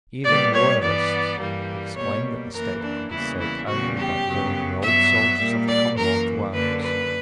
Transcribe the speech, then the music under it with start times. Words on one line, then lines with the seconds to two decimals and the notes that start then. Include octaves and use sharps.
Even Royalists exclaimed that the state could be saved only by calling the old soldiers of the Commonwealth to arms.
0.24 A#2 G3 B3 D5
0.53 C#5
0.82 G2 E3 B3 D5
1.39 G2 E3 G3 A#3
1.95 B2 G3 A#3 C#5
2.53 F#2 E3 A#3 A#4
2.82 D4
3.10 E2 C#3 E3 G3 A#3 E4
3.39 E4
3.67 E2 C#3 G3 B3 F#4
3.96 G4
4.25 F#2 C#3 F#3 B3
4.81 G2 F#3 B3 E5
5.39 A#2 G3 A#3
5.67 D5
5.96 F#2 E3 A#3 A#4
6.53 F#2 D3 A#3 B4
6.81 B4